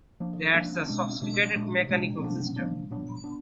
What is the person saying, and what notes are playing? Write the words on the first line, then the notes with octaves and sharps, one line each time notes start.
That's a sophisticated mechanical system!
F3 A#3 D4
F3 A#3 D4
B2 G#3 D4
B2 G#3 D4
A#2 G#3 D4
A#2 G#3 D4
F3 A#3 D4
F3 A#3 D4
A#2 F#3 B3 D4
B3 D4